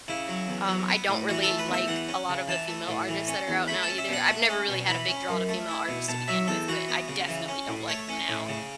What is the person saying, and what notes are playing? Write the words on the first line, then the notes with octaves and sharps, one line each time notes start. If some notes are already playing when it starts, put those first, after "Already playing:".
Um, I don't really like a lot of the female artists that are out now either. I've never really had a big draw to female artists to begin with, but I definitely don't like them now.
C#3 E4
F#3
E2
F#3
B3
A2
E3 F#4
A4
A3
B4
E2 E5
E3 F#5
C#4
C#3
E3 A5
A3
A2
E3
C#4
E2
A3 B5
A5
C#4
E5
B2 F#5
A3
C#4
B2
E3 B5
C#4
F#2
A3
E4
B2
B2 A5
F#3 E5
E2 A4
E3 F#4
B3
C#3
E3
C#4
A2
A3 C#5
C#4
A2
C#3